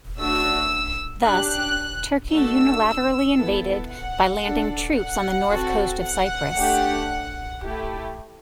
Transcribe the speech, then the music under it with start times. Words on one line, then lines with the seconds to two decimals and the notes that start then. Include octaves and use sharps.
Thus Turkey unilaterally invaded by landing troops on the north coast of Cyprus.
0.19 A3 D4 F#4 E6
1.25 D4 G4 F#6
2.32 A3 D4 F#4 A4 E6
3.37 B3 E4 A4
3.91 F#5
4.43 D4 A4
4.97 F#5
5.50 C4 F#4 A4
6.02 F#5
6.57 A3 D4 G4
7.62 A3 E4 G4